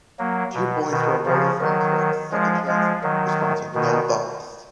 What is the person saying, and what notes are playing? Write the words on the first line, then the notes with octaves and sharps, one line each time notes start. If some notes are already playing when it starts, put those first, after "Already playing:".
Two points were awarded for a correct second-chance response, with no bonus.
F#3 A#3
B2
B2 D#3
C#3 F3
D#3 F#3
F3 G#3
F3 G#3
D#3 F#3
B2 D#3